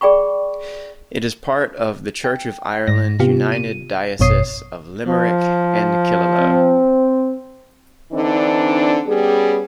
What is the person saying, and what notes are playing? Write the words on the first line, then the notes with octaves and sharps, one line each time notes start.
It is part of the Church of Ireland united Diocese of Limerick and Killaloe.
G#4 D5 G5 B5 C#6
G5
G#2 A#6
C3 B3 F4 G4
D#7
G#1 F#2 B2 C#5 D#6 C7
F3
C4
D3 E3 C4 D4 D#4
G3 B3 C#4 G4 G#4